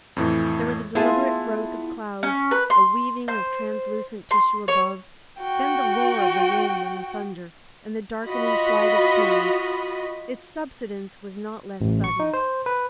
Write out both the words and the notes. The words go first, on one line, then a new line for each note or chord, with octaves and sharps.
There was a deliberate growth of clouds, a weaving of translucent tissue above, then the roar of the wind and the thunder, and the darkening flight of snow. Its subsidence was not less sudden.
F2 A2 E3
B3 E4 F4 G#4 A5 C6
C#4
B4
C6
C5
C6
C#5
F#4 G5
F4 F#4 D#5 B5
A1
C#6
D#4
C5
B4